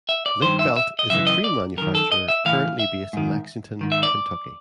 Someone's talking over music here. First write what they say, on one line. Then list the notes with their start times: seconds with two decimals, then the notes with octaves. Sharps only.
Link-Belt is a crane manufacturer currently based in Lexington, Kentucky.
0.09 E5
0.26 D5
0.42 G2 D#3 C5
0.59 E5
0.76 E5
0.99 D#5
1.10 F#2 C#3 E3 E5
1.27 D#5
1.44 D5
1.77 F#2 D#3 A#4
1.95 A4
2.12 D#5
2.28 E5
2.45 A2 E3 F5
2.79 E5
3.13 G#2 D#3
3.81 G#2 D#3
3.92 E5
4.03 D5